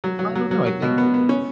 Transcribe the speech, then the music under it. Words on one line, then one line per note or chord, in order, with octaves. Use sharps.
I don't know. I think
F#3
F#3
F#3
F#3
F#3
B2
B3
B3
C#4